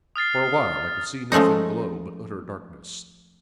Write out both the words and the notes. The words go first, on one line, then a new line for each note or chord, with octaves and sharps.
For a while I could see nothing below but utter darkness.
D#6 F6 A6 C7
F3 G#3 A3 C#4 D#4